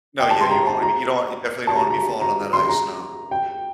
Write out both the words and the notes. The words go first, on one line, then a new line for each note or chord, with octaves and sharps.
No, yeah, you don't wanna be you don't you definitely don't wanna be falling on that ice, no.
G5
A5
C6
A#5
A5
A#5
A5
A#5
A#5
A#5
C6
A#5
G5